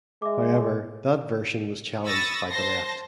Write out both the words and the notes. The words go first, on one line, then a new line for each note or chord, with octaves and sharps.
However, that version was challenged by the left.
G#3 E5 D6
B5 C#6 D#6 E6 A6 A#6
C5 A5 C6 A#6